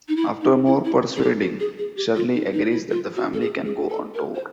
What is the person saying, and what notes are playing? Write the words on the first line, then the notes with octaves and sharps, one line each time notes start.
After more persuading, Shirley agrees that the family can go on tour.
D#4
E4
D#4
E4
E4
G#4
G4
F#4
G#4
G#4
G4
F4
D#4
D#4
E4
F4
F#4
A4
G#4
G#4
A4
A#4
C5